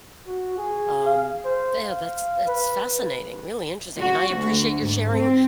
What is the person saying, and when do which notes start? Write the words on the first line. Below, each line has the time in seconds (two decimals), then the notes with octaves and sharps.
um, they, uh, that's that's fascinating, really interesting, and I appreciate your sharing
0.27 F#4
0.58 G#4
1.05 F5
1.45 C5
1.84 F5
2.47 B4
3.99 F#4
4.36 D2
4.82 G#2
5.14 C4